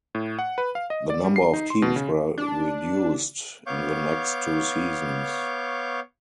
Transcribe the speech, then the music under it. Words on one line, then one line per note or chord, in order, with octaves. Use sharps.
The number of teams were reduced in the next two seasons.
A2
F#5
B4
F5
D#5
D5
G3
C7
D#4
C6
B2
C#3
D4
B3 C#5 F5 C#6 D6 G6